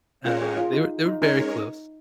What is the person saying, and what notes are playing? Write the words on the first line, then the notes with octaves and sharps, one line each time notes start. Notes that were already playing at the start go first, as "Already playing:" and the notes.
uh, they were they were very close,
G#3 C#4 F4 A#4 C#5
G#4
F4
D#4
D#4
G#3 C#4 D#4 A#4 C#5